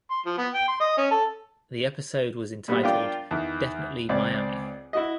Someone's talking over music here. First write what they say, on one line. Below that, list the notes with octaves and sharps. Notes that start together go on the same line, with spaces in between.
The episode was entitled, Definitely Miami.
C6
F3
B3
G5
C6
D#5
C#4
A4
A#2 G3 B3 F#4
D4 F4 A#4 G5 D6
E2 D#3
C#2 C4 D5
E4 F#4 D#5